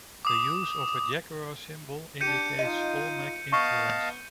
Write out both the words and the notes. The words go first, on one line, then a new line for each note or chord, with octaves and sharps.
The use of a jaguar symbol indicates Olmec influence.
D6 D#6
D4 G4 G6 C#7 D#7
D#4 F4 D#5 D#7
B3 D#5 F5 A5 C#6